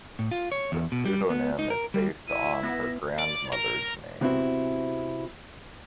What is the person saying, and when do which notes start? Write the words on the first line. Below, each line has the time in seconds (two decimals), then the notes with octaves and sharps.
The pseudonym is based on her grandmother's name.
0.19 A2
0.31 F4
0.52 C#5
0.72 E2
0.92 B2
1.05 G3
1.30 B3
1.59 D#4
1.70 A#4
1.94 G3
2.28 E4 D#7
2.63 B3 A#6
3.18 D5
3.53 A#4
4.21 C3 B3 C4 E4 F#4